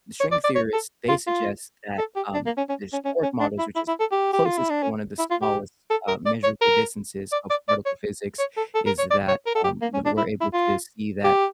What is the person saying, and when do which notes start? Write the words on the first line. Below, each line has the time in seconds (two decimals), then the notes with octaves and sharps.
the string theorists, they suggest that, um, there's quark models which is closest to one of the smallest, uh, measurable distances of particle physics is that, um, you know, we're able to see that,
0.20 C#5
0.31 D5
0.44 D5
0.55 C#5
0.73 A4
1.09 F4
1.27 F4
1.98 A4
2.16 G4
2.34 D4
2.46 A#3
2.57 C#4
2.69 C#4
2.93 C#4
3.05 C#4
3.23 C#4
3.40 D4
3.58 E4
3.76 E4
3.88 E4
4.00 A4
4.11 G4
4.33 G4
4.45 F4
4.58 E4
4.70 D4
4.82 C#4
5.18 E4
5.30 F4
5.42 G4
5.90 A4
6.08 A#4
6.26 D5
6.43 C#5
6.61 A#4
7.32 D5
7.50 D5
7.68 D5
7.86 C#5
8.39 C#5
8.57 A4
8.75 A4
8.86 A#4
8.98 C#5
9.10 D5
9.28 C#5
9.46 A#4
9.55 A4
9.64 G4
9.82 A#3
9.93 C#4
10.05 D4
10.17 E4
10.41 E4
10.53 F4
11.24 G4